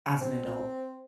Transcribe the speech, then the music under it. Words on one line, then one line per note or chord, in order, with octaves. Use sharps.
as an adult."
C4